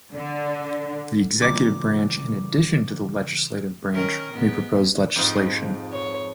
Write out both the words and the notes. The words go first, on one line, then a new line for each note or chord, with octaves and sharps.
The executive branch, in addition to the legislative branch, may propose legislation.
D3
A#2 C#3 E3 G3 D6
D#3 C#4 A#4
G#2 B3
F2 G#2 F3
C#5